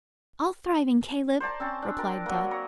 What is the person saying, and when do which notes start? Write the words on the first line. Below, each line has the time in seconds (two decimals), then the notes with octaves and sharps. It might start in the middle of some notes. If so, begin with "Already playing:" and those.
"All thriving, Caleb," replied Dot.
1.40 C5 D5 A5 A#5
1.60 C4 C#4 A5
1.82 D4
1.98 A#4 A5
2.26 F#3 A#3
2.51 C#5 A#5